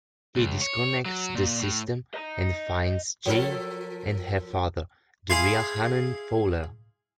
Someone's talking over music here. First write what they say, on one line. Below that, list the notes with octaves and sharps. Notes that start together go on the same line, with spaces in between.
He disconnects the system and finds Jane and her father, the real Hannon Fuller.
C#2
C#5
F#3
A#2
A2
D#5 A#5
F3 A4 A#4
E4 G#4 F5 G#5 C6